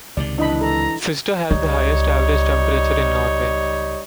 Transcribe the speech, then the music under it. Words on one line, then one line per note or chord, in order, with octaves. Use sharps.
Fister has the highest average temperature in Norway.
C#2 C3 D#3 D5
E3 D4 D#5 B5
A4 A#5
C#2 G3 D#4 C#5